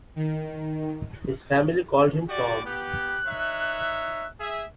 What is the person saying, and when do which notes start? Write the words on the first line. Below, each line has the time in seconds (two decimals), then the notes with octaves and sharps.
His family called him Tom.
0.16 D#3
2.29 F#4 G4 D5
2.65 B3 G4 F#6
3.27 D#4 C#5 E5
4.40 G#4 E5